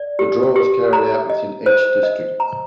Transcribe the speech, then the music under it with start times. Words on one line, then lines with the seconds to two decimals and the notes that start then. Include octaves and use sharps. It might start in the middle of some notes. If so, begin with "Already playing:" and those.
The draw was carried out within each district.
Already playing: D5
0.19 G4
0.56 G4
0.93 A#5
1.30 D#5
1.66 C5
2.03 D#5
2.40 A#5